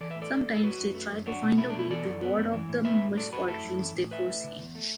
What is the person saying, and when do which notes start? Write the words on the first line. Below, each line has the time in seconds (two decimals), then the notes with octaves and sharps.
Sometimes they try to find a way to ward off the misfortunes they foresee.
0.01 E3 A4 D5
0.10 B4 E5
0.15 A2
0.22 A4 D5
0.31 A3
0.48 A2
0.54 A4
0.64 F#3 F#4 B4
0.80 F#2
0.95 A3
1.12 F#2
1.26 F#3 D4 F#4
1.42 B2
1.58 A3 E4
1.70 D4
1.74 B2
1.79 E4
1.90 E3 A4 D5
2.05 F#2
2.22 B3
2.38 F#2
2.53 E3
2.69 A2
2.84 B3 B4 E5
3.01 A2
3.17 F#3 A4 D5
3.32 F#2 F#4 B4
3.48 A3 E4 A4
3.65 F#2
3.80 E3
3.96 A2
4.11 A3 B4 E5
4.28 A2
4.44 D3
4.59 E2
4.75 A3